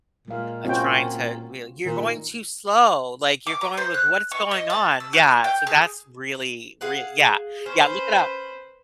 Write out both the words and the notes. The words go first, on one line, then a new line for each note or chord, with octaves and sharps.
uh, trying to w "You're going too slow, like, you're going, like, what it's going on?" Yeah. So, that's really rea yeah, yeah, look it up.
A#2 G#3 F5
C4 C#4 F4 F#4 G5
A#2 D#3
D6
A#5
C5
F#6
C#6
D#5
A5
E6
F#4
G5
G#4
G#4 F5 F#5
C#4 B4 C5